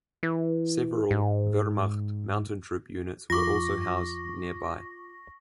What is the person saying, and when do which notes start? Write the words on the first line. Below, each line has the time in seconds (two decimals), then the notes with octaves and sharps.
Several Wehrmacht mountain troop units were also housed nearby.
0.23 E3
1.10 G#2
3.30 F2 F4 C#6 D6 A#6